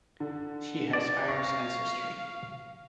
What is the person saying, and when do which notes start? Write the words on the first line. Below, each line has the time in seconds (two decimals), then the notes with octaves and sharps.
She has Irish ancestry.
0.20 D3
0.93 D5
1.28 F5 C#6 A#6